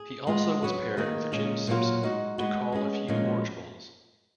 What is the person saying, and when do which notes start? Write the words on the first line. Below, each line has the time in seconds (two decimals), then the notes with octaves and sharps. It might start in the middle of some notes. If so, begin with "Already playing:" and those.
He also was paired with Jim Simpson to call a few Orange Bowls.
Already playing: G#4
0.27 G#3 B3 F4 G#4
0.63 F#3 B3 F#4
0.97 D#3 A#3 D#4 G#4
1.32 A#2 G#3 C#4 G#4
1.67 A#2 F#3 A#3 F4
2.03 G#3 D#4 F#4
2.38 G#3 B3 F#4
2.72 G#3 C#4 G#4
3.08 A#2 F3 G#3 C#4